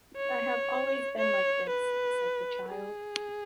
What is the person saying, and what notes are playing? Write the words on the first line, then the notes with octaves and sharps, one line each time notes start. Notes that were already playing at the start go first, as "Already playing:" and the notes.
I have always been like this,said the child.
C#5
C#5
B4
G#4